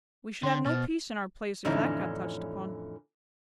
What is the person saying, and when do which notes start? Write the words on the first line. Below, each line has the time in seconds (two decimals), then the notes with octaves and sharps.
We should have no peace in our place, if that got touched upon.
0.43 D3 C#5 G5 C6
0.66 B2 C5 F6 A6
1.65 F2 A2 D3 E3 C#4 D#4